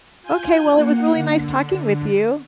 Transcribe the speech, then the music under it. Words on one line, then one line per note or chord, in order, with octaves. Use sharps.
Okay, well, it was really nice talking with you.
F4 G#5 G6
A#3 F#5
D3